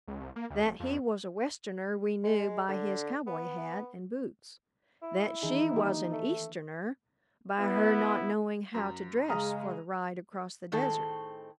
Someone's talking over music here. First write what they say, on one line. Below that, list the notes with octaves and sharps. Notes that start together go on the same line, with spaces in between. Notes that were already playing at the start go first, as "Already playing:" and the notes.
That he was a Westerner we knew by his cowboy hat and boots; that she was an Easterner, by her not knowing how to dress for the ride across the desert.
C#2
C2
A#3
D2
F1
F2
G#3
D3
B3
E4
D#3 E3 D4 D#4 G#4
A#3 G4
A3
B3 E4
F#2
C#3 G#3 A#5 D#6 F6
A2 D#3 C4 G#4 A4